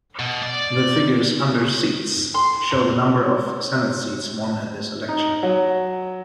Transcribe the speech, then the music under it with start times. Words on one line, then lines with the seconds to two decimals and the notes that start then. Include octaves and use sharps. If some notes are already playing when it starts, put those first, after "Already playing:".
The figures under "Seats" show the number of Senate seats won at this election.
0.19 B2
0.43 D5
2.34 C6
5.09 D#4
5.43 F#3